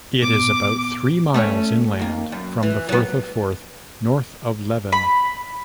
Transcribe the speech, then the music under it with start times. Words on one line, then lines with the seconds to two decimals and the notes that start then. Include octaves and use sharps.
It is about three miles inland from the Firth of Forth, north of Leven.
0.23 A#2 B3 D6
1.34 A3 C#4 C#5
1.99 D#2 A#3
2.32 F#2
2.63 E3
2.89 F#3 B3
4.92 B5